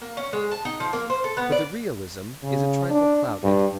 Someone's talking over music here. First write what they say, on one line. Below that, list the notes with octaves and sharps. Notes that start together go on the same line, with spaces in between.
But the realism is a trifle clouded.
A#3
C#4
G#3
A5
D#4
F3
A#3
C5
A4
B3
D5
C#3
D4
G2